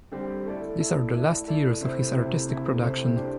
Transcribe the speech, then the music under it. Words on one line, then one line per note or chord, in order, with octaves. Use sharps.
These are the last years of his artistic production.
D3 G3 C4 G4
A3 E4 A4 D5
A3 E4 A4 D5
A3 E4 A4 D5
A3 E4 A4 D5
C3 A3 E4 C5
C3 A3 E4 C5
C3 A3 E4 C5
C3 A3 E4 C5
A3 D4 G4 C5